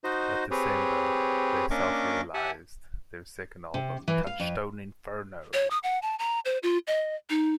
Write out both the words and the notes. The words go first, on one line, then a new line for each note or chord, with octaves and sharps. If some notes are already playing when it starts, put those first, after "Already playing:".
That December they self-released their second album Touchtone Inferno!!!
D#4 F#4 C5 D#5
C4 G4 G#4 B4 C#5
A#3 C#4 D4 D#5 C#6 D6
G4 E5 F#5 G#5 A5
C3
E3
F5
F2
C#5
D#6
F#5
A5
A#5
C5
F4
D#5
D#4